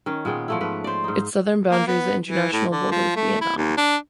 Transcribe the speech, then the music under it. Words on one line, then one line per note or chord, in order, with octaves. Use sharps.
Its southern boundary is the international border with Vietnam.
D#3 C#4
A#2 B3 G#4 G5
F3 A3 E4
G#2 A3 B4
C5 D5
G#2 D#4
A#3
B3
E3
A2
D3
F3
A3
E4
D#2
D4